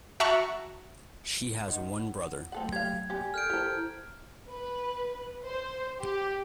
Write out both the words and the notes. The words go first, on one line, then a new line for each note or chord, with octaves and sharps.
She has one brother.
F#4 E5 F#5 A5 A#5 C#6
D#3 F#5
F#3 A3 C4 A4 F#5 G5
G4 F5 G#6
B3 G4 D5 G#5
A4 A#4 F6 G6 D7
E4 G4 A4 C5 A#5
B4
C5
G4